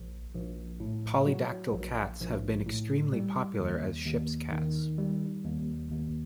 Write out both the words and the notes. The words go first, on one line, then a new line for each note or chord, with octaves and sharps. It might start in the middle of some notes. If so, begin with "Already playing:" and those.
Polydactyl cats have been extremely popular as ship's cats.
Already playing: A#1
A#1
A2
F#3
A#1
A#1
A2
G3
D#2
D#2
D#3
G3
D#2
D#2